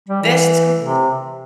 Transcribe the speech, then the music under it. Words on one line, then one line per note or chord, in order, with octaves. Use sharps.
That's too much
G3
E3
C3